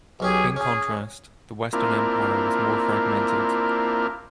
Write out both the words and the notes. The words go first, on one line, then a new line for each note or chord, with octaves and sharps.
In contrast, the Western Empire was more fragmented.
B1 C#4 G4 G#4
C#4 G#4
A#3 C4 D4 E4 F4 A#4